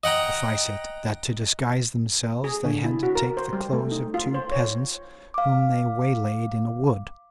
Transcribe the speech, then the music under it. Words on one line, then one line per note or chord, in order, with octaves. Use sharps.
Suffice it that to disguise themselves they had to take the clothes of two peasants, whom they waylaid in a wood.
D#5 F#5 G5 A#5
G#4
D3
E4
F#4
A#4
C5
G3
A3
D#4
F4
C5
C#5
F5 D6